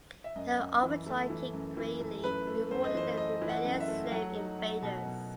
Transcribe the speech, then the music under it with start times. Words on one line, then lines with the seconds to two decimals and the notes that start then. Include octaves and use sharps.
The overjoyed king greatly rewarded the rebellious slave invaders.
0.24 E5
0.36 F#2 D#5
0.59 F#2
0.83 E3
1.07 A3
1.30 E3
1.53 F#2
1.77 E3
2.00 A3
2.24 F#2 B4
2.47 A3
2.71 F#2 C5
2.84 D#5
2.94 E3 C5
3.17 A3 D#5
3.42 E3
3.49 F#5
3.65 F#2
3.80 E5
3.88 A3
4.12 F#3 F#5
4.35 D#4
4.59 F#3
4.82 B2
5.06 B2